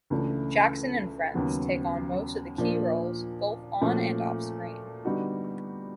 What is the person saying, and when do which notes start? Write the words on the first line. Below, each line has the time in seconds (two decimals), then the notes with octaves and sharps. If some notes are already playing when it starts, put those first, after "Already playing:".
Jackson and friends take on most of the key roles, both on and off-screen.
0.10 C#2 C#3 E3 A3 D4
1.34 D#2 C#3 F#3 B3
2.58 A#2 F3 A#3 D4
3.81 A#2 F3 A3 C#4 F#4
5.05 D3 G3 B3 D#4 F#4